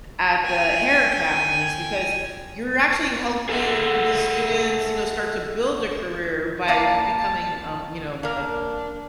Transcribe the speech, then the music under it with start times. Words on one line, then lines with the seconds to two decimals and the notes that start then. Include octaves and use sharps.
at the hair academies, because you're actually helping the students, you know, start to build a career by becoming, um, you know, a
0.45 G5 G#5
3.49 G#4 A4 C#5 E5 F#5
6.68 A#3 D5 F5 A5
8.23 A#3 D4 A#4